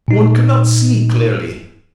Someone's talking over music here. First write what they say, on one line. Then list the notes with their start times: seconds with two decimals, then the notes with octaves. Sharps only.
One cannot see clearly.
0.08 A#2 D#4